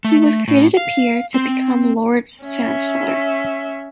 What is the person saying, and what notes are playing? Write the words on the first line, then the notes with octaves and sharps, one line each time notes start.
He was created a peer to become Lord Chancellor.
A3
A2
F5
C4
C#4 E5